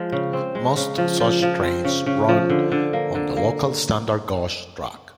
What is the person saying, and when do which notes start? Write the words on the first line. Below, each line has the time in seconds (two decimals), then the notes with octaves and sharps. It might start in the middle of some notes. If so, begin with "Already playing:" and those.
Most such trains run on the local standard gauge track.
Already playing: F3 G#3
0.12 C#3
0.33 C4
0.55 G#3
0.77 C#3
0.98 F3
1.20 F3
1.42 F3
1.64 C4
1.85 C#3
2.06 C#3
2.29 F3
2.50 D3
2.72 D3
2.93 A#3
3.15 D3
3.37 A#3